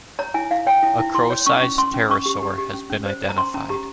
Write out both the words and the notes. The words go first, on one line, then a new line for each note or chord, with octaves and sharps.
A crow-sized pterosaur has been identified.
C#5 A#5
E4 G#5
E4 F5
C#5 G5
E4
E4
E4 C6
C#5
C#4 C#6
C#4
C#4 C6
C#4
C#4 C#6
G4
G4
G4
C#4
C#4
C5
C5
A#5
C#4 C6
C#4 A#5
G4 A#5